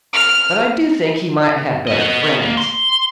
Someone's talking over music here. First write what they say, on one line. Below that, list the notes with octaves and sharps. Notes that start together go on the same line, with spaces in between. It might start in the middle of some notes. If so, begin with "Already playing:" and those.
But I do think he might have better friends.
F6
B3 D#5
A#3
C6